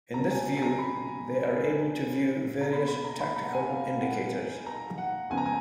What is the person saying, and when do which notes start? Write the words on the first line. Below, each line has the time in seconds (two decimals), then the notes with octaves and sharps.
In this view, they are able to view various tactical indicators.
0.14 C#2 B2 F#3 A#5
0.31 G#5
0.57 G#5
0.62 A#5
0.79 B5
2.61 A#5
2.72 B2 A#3 B5
2.88 B5
3.05 A#5
3.20 B5
3.36 A#5
3.45 F#5
3.53 G#5
3.68 F5
3.85 F5
4.02 F#5
4.66 A#5
4.98 F#5
5.30 C#2 C#3 F3 B3 G#5
5.37 A#5
5.46 G#5